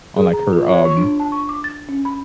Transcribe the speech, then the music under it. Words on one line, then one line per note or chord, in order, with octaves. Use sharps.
on, like, her, um
G#4
A#5
F4
C#5
C#6
D4
A5
C#6
D6
A6
C#4
B5